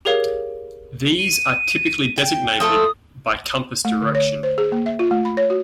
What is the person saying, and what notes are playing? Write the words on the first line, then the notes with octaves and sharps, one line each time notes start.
These are typically designated by compass direction.
G4 G#4 A#4 C#5 F5
D#7
G5
F3 A3 A4 D#6
A3
D3
C#5
C5
G#4
A#3
E5
F4
A3
B5
C#5
F#4